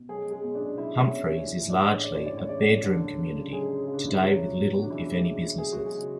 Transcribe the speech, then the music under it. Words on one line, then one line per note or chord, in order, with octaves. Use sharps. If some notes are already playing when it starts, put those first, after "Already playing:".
Humphreys is largely a "bedroom community" today with little if any businesses.
Already playing: B2
F#3 G#3 G#4
F#3
G#3 G#4
B2
D4 D5
B2
F#3 E4 E5
F#3
C#4 C#5
B2
C#4 C#5
B2
E3
A2
D4 D5
G#3
C#5
A2
D5
E3 C#5
D5
A2
C#5
G#3 D5
C#4 C#5
A2
D3 F#3 D4
F#3
C#3
C#3
F#3 G#3 G#4
F#3
C#3
D4
C#3 E4
F#3 G#3 F#4
G#3
B2
B2
D4
E3 G#3 E4
G#3
B2
B2
F#3 G#4
F#3 F#4
G#3 G#4
C#3